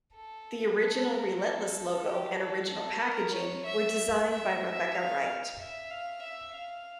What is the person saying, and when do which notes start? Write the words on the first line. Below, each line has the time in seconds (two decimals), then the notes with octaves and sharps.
The original Relentless logo and original packaging were designed by Rebecca Wright.
0.14 A4
0.78 A4
1.11 A#4
1.43 A4
2.06 G4
2.39 A4
2.70 A4
3.02 A#4
3.34 C#5
3.66 E5
4.30 E5
4.63 E5
4.95 F5
5.59 E5
5.90 F5
6.23 E5
6.55 F5